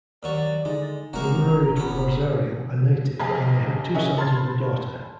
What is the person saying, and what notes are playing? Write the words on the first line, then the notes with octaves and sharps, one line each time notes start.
He married Rosario, a native, and they had two sons and a daughter.
D#2 F#3 D5 C#6
D3 G#3 D#4
E1 C3 F#3 G#3 F#4 A#4 A#5 C#6
D3 F3
F1 A#2 B3 C#4
B1 F2 C3 G#4 F5 A5
C#4 F#4 G#4 A#4 D#5 E5
A5 B5 C6 F6 G#6 A6